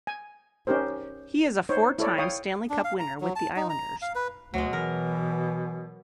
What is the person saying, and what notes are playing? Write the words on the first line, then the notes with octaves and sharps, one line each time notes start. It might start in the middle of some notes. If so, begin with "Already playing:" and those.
He is a four-time Stanley Cup winner with the Islanders.
G#5
C#4 D#4 G4 A#4 C5
D#4 C5 C#5
E4 A4 C#5 D5
C#5 F5 G5 D#6
D4
F5
A#5
F#3
A5
D#4
A#5
F5
B4
D2 B2 F#3 G#3
E3 A#4